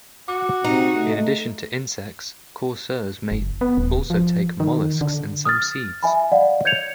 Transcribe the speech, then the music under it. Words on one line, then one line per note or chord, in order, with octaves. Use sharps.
In addition to insects, coursers may also take molluscs and some seeds.
F#4 D6
C3 D#4
A3
F#1
B3
D#1
F3
D#3
D3
D#6 F6 A6
E5 G#5 B5
D5 D#5 F5 F#5
C#5 G6 G#6 C#7 F7